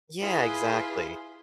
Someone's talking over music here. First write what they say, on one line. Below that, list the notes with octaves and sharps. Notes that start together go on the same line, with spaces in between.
Yeah. Exactly.
E4 F4 G#4 B4